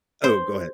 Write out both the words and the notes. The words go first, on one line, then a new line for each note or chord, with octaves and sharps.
Oh, go ahead.
C5